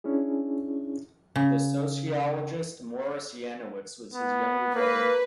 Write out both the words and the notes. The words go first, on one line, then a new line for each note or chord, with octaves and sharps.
The sociologist Morris Janowitz was his younger brother.
C#4 D4 E4 G#4
C#3
B3
A#3 B4